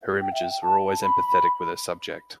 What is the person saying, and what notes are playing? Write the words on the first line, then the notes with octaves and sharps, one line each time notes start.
Her images were always empathetic with her subject.
G5
E5
G5
A5
B5